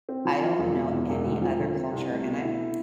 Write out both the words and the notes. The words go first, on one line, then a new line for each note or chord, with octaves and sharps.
I don't know any other culture and I'm
C4
F3
F4
E1
B2
E2
E1
D2
F3
D3
C4
C2
A3
B2
E4